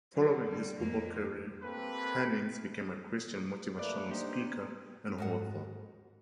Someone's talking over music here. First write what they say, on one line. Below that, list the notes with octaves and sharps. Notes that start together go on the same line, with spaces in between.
Following his football career, Hennings became a Christian motivational speaker and author.
D3 F#3
G3
F2 A#3
A#3 C4 G4 A4 B4
A3 A#3 B4 D5
A#3 D4 D#4 G4 C5
G#2 F#4 F#5